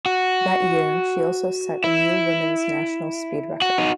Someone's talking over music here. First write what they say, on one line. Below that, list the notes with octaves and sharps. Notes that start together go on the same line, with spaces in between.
That year, she also set a new women's national speed record.
F#4
E4
F#4
D#4